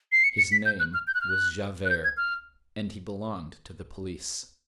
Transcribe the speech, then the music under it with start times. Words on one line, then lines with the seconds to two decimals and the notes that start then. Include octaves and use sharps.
His name was Javert, and he belonged to the police.
0.12 C7
0.24 C#7
0.38 C#7
0.52 B6
0.65 G6
0.80 F#6
0.94 F6
1.07 G6
1.14 F#6
1.21 F6
1.30 F#6
1.85 F#6
1.90 G6
2.04 G#6
2.17 F6